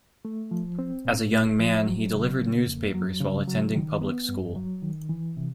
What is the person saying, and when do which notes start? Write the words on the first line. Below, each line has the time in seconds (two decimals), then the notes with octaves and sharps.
As a young man, he delivered newspapers while attending public school.
0.25 A3
0.51 F3
0.79 C4
1.05 A#2
1.32 A3
1.59 F3
1.86 F#3
2.13 C#3
2.40 A#3
2.67 F2
2.94 F#3
3.21 C#3
3.48 F#3
3.74 D#3
4.01 B3
4.29 G2
4.55 F#3
4.82 D#3
5.09 E3
5.37 C3